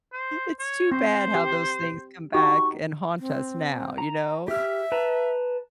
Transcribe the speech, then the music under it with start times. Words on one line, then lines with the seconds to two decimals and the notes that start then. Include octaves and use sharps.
It's too bad how those things come back and haunt us now, you know?
0.13 C5
0.59 C#5
0.92 C4 C5
1.35 G4
2.34 D#4 F#4 G4 C#6
3.19 C4
3.98 A#5
4.48 G4 E5 F6
4.92 B4 A5 A#5